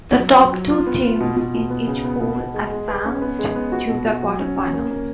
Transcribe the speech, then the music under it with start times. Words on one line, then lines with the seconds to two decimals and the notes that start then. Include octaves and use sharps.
The top two teams in each pool advanced to the quarterfinals.
0.19 F#3
0.36 F#3
0.53 F#3
0.69 F4
0.86 B3
1.03 F4
1.20 B2
1.36 B2
1.54 B2
1.70 B3
1.88 C#3
2.04 B3
2.21 B2
2.37 B2
2.54 G#3
2.71 G#3
2.88 B4
3.05 C#4
3.22 B3
3.39 G#3
3.55 B3
3.72 F#4
3.89 B2
4.06 F#4
4.23 F#3
4.39 C#4
4.56 C#4
4.73 A#3
4.90 A#3